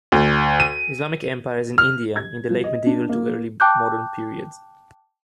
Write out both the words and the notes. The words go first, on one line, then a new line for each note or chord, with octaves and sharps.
Islamic empires in India in the late Medieval to Early Modern period.
D2
D#7
F6
G#6
F3
D#5
D4
A#3
G5 A5 D6 F#6 G6